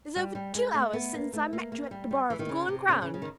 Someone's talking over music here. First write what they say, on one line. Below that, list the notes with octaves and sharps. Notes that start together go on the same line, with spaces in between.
"It is over two hours since I met you at the bar of the Golden Crown."
G3
G3
G#3
A3
B3
A#3
A3
A#3
A#3
G3
G3
E3
D#3
C#3
C3
C#3
C#3
C#3
D#3